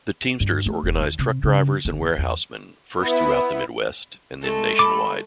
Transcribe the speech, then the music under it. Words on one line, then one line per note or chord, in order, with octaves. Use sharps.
The Teamsters organized truck drivers and warehousemen, first throughout the Midwest, and then nationwide.
G2
A3
E1
D#2
C3
C#3
G1
D#2
E2
B3 E4
G#3 A3 A4
B5 D6